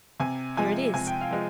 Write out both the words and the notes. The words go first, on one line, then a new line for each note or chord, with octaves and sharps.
"Here it is."
C3 G#5
F3 G#3 G#5
C3 G#5
G5
F5
F3 G#3